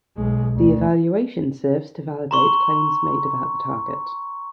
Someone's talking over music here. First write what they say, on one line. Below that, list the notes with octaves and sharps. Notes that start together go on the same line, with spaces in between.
The evaluation serves to validate claims made about the target.
B1 G#3
D2
A#5 C6 C#6